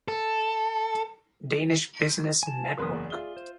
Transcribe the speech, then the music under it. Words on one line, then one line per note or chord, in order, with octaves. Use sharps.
Danish Business Network.
A4
G#5 A5
F5
F#1 E2 A#3 B4 C6 D#6
G#4 D5
F4 E5 G7
C5